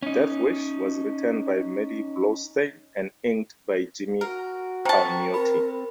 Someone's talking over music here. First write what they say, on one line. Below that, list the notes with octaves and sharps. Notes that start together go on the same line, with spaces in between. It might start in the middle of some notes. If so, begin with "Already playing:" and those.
"Deathwish" was written by Maddie Blaustein and inked by Jimmy Palmiotti.
C#4 D#4
F#4 A#4
B2 C5 G5 A5 A#5 C#6
C4 A#4 B5